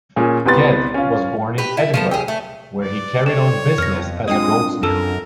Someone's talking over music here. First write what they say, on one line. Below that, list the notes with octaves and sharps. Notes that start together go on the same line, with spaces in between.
Ged was born in Edinburgh, where he carried on business as a goldsmith.
A#2 C#4 G#4
C2 B3 G4 B4 C6 A6
C#4 F4
G4 B4
E4
F3 B3 A4
G4 G#4
A3
B4 D5
A4 C#5 D5 G5
F2 B3 F6 A#6
G#3 C4 D4 F4 D#5 G5 D#6
F#2 A4 A#4 A5 E6